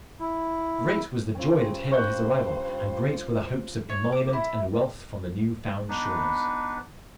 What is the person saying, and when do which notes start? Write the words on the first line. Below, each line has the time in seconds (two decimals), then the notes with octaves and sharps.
Great was the joy that hailed his arrival, and great were the hopes of emolument and wealth from the new-found shores.
0.19 E4
1.35 G2 C4 C#4 F4
1.92 C5 C#6 F#6 G6
3.89 C#5
4.12 D6
4.33 E4
5.89 B3 D4 D#4 B4